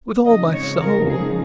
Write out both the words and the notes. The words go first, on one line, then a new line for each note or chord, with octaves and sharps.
"With all my soul."
F2 C#3 F3 G#3 D#4 D#5
C#5
A#4
G#4